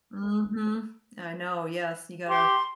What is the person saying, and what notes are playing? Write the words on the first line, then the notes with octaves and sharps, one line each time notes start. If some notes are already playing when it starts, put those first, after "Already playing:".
Mhm, I know, yes, you gotta
G4 C6